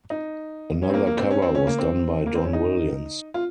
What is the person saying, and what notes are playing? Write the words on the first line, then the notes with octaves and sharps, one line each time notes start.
Another cover was done by Don Williams.
D#4
C#4
C4
A#3
A#3
C4
C#4
C4
C#4
A#3
C4
A#3
C4
C#4
D#4
F4